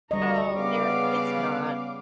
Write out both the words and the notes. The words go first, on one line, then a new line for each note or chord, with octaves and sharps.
Oh, there it's not.
D2 G3 D#5 A#5 C#6
C#3 B3 F5 D6